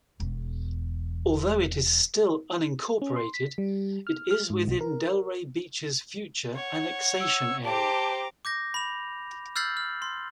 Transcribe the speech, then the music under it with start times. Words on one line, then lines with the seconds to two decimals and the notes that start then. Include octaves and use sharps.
Although it is still unincorporated, it is within Delray Beach's future annexation area.
0.20 E1 E2
3.02 C#4
3.16 C6
3.34 B6
3.58 G3
4.07 F6
4.31 F6
4.50 G#2
4.67 B1
4.81 A#4
6.55 C#5 F#5
7.20 E6
7.64 G4 C5 A5 A#5 D6
8.45 D6 G6 A#6
8.74 B5 F7
9.56 E6 F6 G6 A6 C7 F#7
9.77 F6
10.02 C6